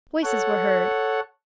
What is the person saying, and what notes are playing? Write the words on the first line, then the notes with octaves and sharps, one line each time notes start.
Voices were heard.
A4 C#5 F#5